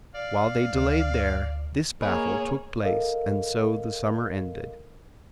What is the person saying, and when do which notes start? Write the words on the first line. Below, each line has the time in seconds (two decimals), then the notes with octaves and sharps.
While they delayed there, this battle took place and so the summer ended.
0.15 D5 F5
0.73 D2
2.02 A#3 G#4 C#5 D#5 B5
2.82 A4 A#4 D#5 F5